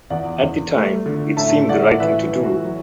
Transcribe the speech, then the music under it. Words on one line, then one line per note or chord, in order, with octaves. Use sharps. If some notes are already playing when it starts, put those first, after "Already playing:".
At the time, it seemed the right thing to do.
E2 D5 F#5
E2
A3
D3
A2 E5 A5
A2 D5 F#5
E3 B4 E5
E3
F#4
F#3